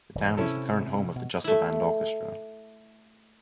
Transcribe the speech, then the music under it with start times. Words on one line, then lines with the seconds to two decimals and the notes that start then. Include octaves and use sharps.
The town is the current home of the Jostiband Orchestra.
0.15 E1 E3
0.37 C3 C4 C#4 E4 A4
1.15 B2
1.44 A3 E4